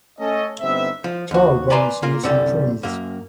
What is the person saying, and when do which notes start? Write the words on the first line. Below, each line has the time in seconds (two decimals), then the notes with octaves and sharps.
A child runs near some trees.
0.19 A3 C#4 A4 D#5
0.60 G1 G2 B3 C4 D#4 E5
1.04 F3
1.31 D#2 F#4
1.70 B4 D5 G#5 A#5 C6
2.02 A#3 F4 A#4
2.23 C2 F#2 D3 G3 A4
2.83 F#2 A#3